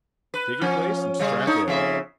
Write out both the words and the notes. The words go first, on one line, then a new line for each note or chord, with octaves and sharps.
"Take your place and strap in."
B4
F3 C#4
C#3 G3
D#4 A4 C#5
F2 C#3 E5